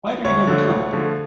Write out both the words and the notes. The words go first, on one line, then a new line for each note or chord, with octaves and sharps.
Why did he never come?
D2 C#5
D3 F3 A3
D2
D3 F3 A3